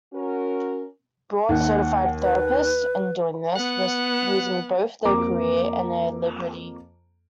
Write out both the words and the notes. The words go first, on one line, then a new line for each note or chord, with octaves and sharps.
Board-certified therapists, in doing this, risked losing both their career and their liberty.
C#4 F#4 A#4
D#2 F#5
B4
B3 F#5
F2 A#3 A#5 D6